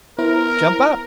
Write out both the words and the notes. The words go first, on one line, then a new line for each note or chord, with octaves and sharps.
"Jump up."
B3 E4 A#4 C5